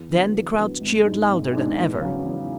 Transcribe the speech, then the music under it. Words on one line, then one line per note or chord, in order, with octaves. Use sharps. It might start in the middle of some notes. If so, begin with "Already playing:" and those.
Then the crowd cheered louder than ever.
Already playing: E2
D3 F#3 B3
E2
D3 F#3 B3
G#1
G#2 G#3 D4 G#4
G#1
G#2 G#3 D4 G#4
E2
C#3 F#3 C#4
E2